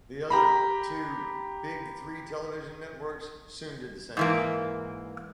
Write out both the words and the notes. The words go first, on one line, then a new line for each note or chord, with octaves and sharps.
The other two Big Three television networks soon did the same.
G4 A#5 B5
G#2 E3 A#3